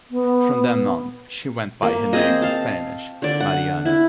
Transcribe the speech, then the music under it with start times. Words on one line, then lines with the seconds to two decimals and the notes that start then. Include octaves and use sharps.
From then on, she went by her name in Spanish, "Mariana".
0.11 B3
1.83 A#3
2.13 C4 G#4 D#5
2.42 F5 A5
3.22 D3 D5
3.40 F#5
3.85 E4